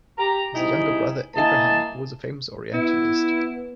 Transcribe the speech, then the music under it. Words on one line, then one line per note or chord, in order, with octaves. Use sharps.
His younger brother Abraham was a famous orientalist.
G4 A#5
G3 C4 D#4 E4 G#4
A#3 E4 D#5 G#5 A5
B3 E4